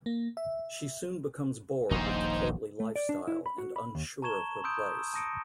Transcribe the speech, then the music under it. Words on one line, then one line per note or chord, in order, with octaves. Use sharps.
She soon becomes bored with the courtly lifestyle and unsure of her place.
A#3
E5
D#1 A#1 D#4 C5
A3
D5
D4
E4
B5
F#4
B5
D#2
A5 A#5 C#6 G#6 E7 G7
B5 C6 D#6 E6 G6 D7
E6
A5 D#6 A#6 C#7 D7